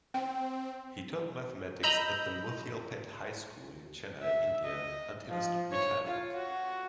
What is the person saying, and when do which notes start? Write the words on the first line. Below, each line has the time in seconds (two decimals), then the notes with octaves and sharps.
He taught mathematics at the Muthialpet High School in Chennai, India until his retirement.
0.14 C4 G5
1.83 D#5 A#5 B5 E6 G6
4.23 E5
4.65 D#5
5.29 F3
5.73 C#5
6.07 F4
6.36 F#4